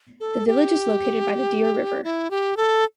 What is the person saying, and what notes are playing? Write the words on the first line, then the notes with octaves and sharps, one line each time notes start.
The village is located by the Deer River.
A4
G4
E4
G4
A4